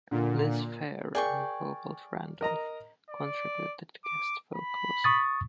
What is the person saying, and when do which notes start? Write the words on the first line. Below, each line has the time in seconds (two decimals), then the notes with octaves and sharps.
Liz Phair and Robert Randolph contributed guest vocals.
0.11 A#2 D3
1.15 G#4 A#4 D5 G5 C#6
2.41 A#4 D#5 A#5
3.10 D5
4.05 D6
4.56 B5
5.04 C#6 D#6 A6